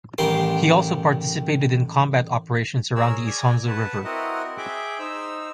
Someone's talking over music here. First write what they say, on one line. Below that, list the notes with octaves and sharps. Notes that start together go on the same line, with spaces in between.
He also participated in combat operations around the Isonzo river.
A1 D#3 G3 A#4 C6
G#4 A#4 C#5 E6
D5 G#5
B4 F#5 A5
C4 E4 F#4 A#4 D#5 F#5
G#4 E5 G5 D6
D#4 C5 E6